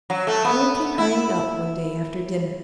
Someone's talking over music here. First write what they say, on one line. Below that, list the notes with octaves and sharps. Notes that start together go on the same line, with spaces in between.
Earle came hurrying up one day after dinner.
F#3
A3
B3
E4